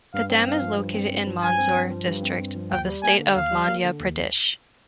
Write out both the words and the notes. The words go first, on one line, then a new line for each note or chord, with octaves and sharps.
The dam is located in the Mandsaur district of the state of Madhya Pradesh.
G2 F5
C4
G2 F5
F3
G2
C4
G2
F3
G2 G#5
C4
G2
F3
G2
C4
G2
F3
D#2 G5
G3
A#3 G#5
D3
D#2 F5
G3
A#3
D3
D#2